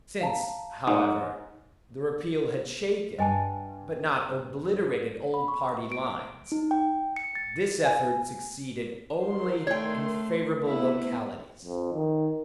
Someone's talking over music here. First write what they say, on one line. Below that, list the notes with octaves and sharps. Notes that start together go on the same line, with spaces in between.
Since, however, the repeal had shaken but not obliterated old party lines, this effort succeeded only in favorable localities.
F5 A5 A#5
G#2 D#4 F#5 D#6
G2 D#5 G#5 A5
B5
C#6
D7
D#4
G5
C#7
A6
G#5
D#3 A#4 C6
A3 C#5 G5
A3 B3 E4
F2
D#3